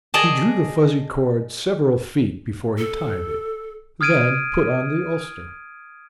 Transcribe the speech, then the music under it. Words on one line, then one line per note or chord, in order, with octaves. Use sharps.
He drew the fuzzy cord several feet before he tied it, then put on the ulster.
G#4 D5 D#5 A5
A4
D#6 F6 G#6 D7 D#7